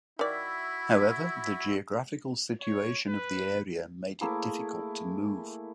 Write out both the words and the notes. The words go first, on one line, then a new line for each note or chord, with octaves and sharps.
However, the geographical situation of the area made it difficult to move.
D#3 E4 F#4 D5 E5 B5
C#5
B4
A3 A#3 E4 G#4